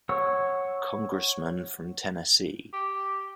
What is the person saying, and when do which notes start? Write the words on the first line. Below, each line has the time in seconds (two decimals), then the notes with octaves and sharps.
Congressman from Tennessee.
0.09 C#5 F#5 C#6 E6
2.73 G4